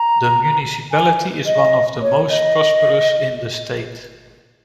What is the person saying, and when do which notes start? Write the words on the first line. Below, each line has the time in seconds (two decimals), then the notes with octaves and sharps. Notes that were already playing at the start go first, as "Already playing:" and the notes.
The municipality is one of the most prosperous in the state.
Already playing: A#5
0.92 G#5
1.46 D#5
2.02 C#5
2.29 D#5